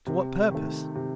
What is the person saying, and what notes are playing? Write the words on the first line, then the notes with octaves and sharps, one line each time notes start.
To what purpose?
C3
D#3 A3
C3